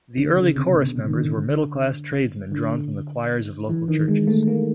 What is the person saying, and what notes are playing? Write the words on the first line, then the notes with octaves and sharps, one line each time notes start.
The early chorus members were middle-class tradesmen drawn from the choirs of local churches.
D3
C#3
C3
B2
C3
D#3
D3
D3
E3
D#3
G#3
A3
A#3